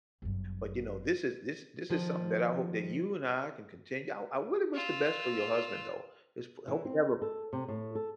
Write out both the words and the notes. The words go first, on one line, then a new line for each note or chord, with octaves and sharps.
but, you know, this is this this is something that I hope that you and I can continue I r I really wish the best for your husband, though, it's f hope we have a
G1 F#2
D#3 F3
F4 E6
E3
C4
A4
C3
A2
A4